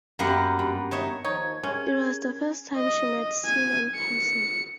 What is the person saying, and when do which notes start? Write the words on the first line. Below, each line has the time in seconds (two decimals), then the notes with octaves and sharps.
It was the first time she met Cena in person.
0.19 F#2 A#3 B3 G4 F#5
0.59 G2
0.91 D#4 C#5 E5
1.25 D#2 F3 D#4 C#5 G#6
1.63 C3 C#4 G#4 A#4
2.76 D#5
3.45 G#5
3.95 C#7